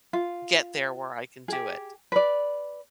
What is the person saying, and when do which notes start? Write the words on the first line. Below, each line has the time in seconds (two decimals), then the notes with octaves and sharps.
get there where I can do it.
0.13 F4
1.48 G4 G#4
2.12 B4 D5